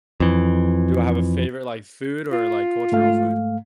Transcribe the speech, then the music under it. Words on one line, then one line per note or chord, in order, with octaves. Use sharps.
Do I have a favorite, like, food or, like, cultural food?
F2 E3
F4
G#2 A3 F5